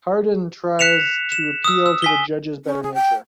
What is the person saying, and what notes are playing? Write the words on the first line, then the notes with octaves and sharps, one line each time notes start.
Harden tries to appeal to the judge's better nature.
F#6 B6 C#7 E7 F7
E7
D#6 E6
E6
G#5 B6 G7
C#4
G#4
G5